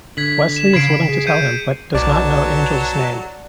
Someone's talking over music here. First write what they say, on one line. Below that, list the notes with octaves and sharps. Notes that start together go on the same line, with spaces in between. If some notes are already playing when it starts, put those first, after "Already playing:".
Wesley is willing to tell him, but does not know Angel's name.
D3 G#6 B6 F#7
E7
C#3 B5 G#6 C7 D7
G#4
G6 C#7 D#7
B1 F#3 D5 A5